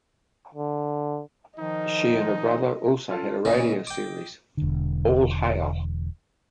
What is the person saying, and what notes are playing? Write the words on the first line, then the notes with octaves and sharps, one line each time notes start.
She and her brother also had a radio series, "All Hale".
D3
D#3 F3 D#4 D#5
C#4 F4 A4
A#2 C#3 E3 D#5
G5 D6
E1 D3